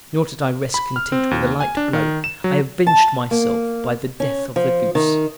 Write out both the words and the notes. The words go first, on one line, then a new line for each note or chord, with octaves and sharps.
Nor did I rest content with a light blow, I avenged myself by the death of the goose.
B5
F6
C4
D#2
G#5
D4
D#3
E7
F#3
A5
A#3
C#4
F3
D#3